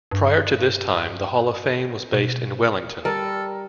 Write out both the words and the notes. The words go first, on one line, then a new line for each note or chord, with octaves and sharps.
Prior to this time the Hall of Fame was based in Wellington.
G2
B2
G3 A4 A#4 A5